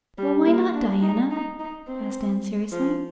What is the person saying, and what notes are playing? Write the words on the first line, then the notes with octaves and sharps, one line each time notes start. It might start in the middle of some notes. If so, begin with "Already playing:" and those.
"Well, why not, Diana?" asked Anne seriously.
G3
A#3
D4
D#4
D#4
D#4
C4
F3